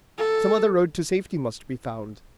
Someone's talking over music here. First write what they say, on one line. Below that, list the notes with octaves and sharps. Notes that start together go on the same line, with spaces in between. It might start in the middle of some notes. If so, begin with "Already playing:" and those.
Some other road to safety must be found!
A4